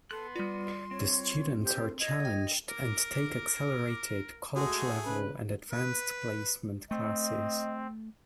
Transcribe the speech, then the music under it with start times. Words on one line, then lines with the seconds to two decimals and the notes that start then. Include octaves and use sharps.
The students are challenged and take accelerated, college-level, and Advanced Placement classes.
0.11 B3 A4 C6 F#6
0.36 G3 F4 D5
0.91 C4 C#5
1.64 G4 C5
2.00 D#5 G#6
2.25 G5
2.69 A#4 D6
4.56 G#3 A3 F#4 G#4
5.06 C#3 B4
5.72 B4
6.91 A3 C4 D#5